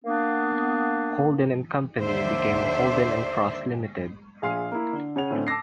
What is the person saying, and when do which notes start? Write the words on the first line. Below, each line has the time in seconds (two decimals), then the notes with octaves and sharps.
Holden and Co became "Holden and Frost Ltd".
0.05 A#3 B3 D4
2.00 D#2 D3 C5 D5 E5
4.42 A#1 G#4 F5 C6 F6 C7
4.72 A#3 E4
4.93 D3
5.16 C#3 C#5 F#5 F7
5.30 A2 D3 A3 C4 C#4
5.47 A5 D6 E6 A#6 C7